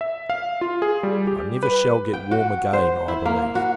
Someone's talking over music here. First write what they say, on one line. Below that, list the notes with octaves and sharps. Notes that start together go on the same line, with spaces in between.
I never shall get warm again, I believe.
E5
F5
F4
G#4
G3
G4
B4
G5
F#4
C5
E4
A#3
F#4